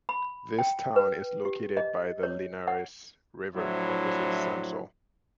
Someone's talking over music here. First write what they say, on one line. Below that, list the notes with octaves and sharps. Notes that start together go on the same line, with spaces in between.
This town is located by the Linares River opposite Sansol.
B5
G5
B4
G4
D#5
C#5
F#5
A2 F3 F#3 D4 E4 C5